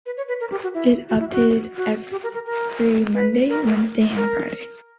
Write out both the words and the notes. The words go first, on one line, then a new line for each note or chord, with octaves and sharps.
It updates every Monday, Wednesday, and Friday.
B4
C#5
B4
A#4
G4
F#4
E4
F#4
E4
F#4
F#4
G4
A#4
A#4
A#4
B4
A#4
A#4